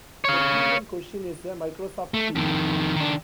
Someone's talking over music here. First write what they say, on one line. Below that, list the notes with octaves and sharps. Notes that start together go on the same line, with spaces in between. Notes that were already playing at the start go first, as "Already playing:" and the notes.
The key in question is a Microsoft key.
C#5 F5
A3
F2 D#3
D#3 D4